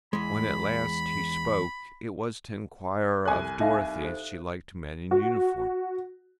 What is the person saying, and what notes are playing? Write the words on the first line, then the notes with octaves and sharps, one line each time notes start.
When at last he spoke, it was to enquire of Dorothy if she liked men in uniform.
E2 G#3 B5
C2 A4 G#5 F#6
D#4 E5 F5
A4 C5
F#4